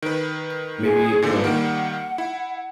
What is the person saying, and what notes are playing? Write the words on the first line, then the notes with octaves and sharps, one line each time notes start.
Maybe it will.
D#3 B4
G#4
A#2 D3 F3
D#3 G3 A#3 F#5
E4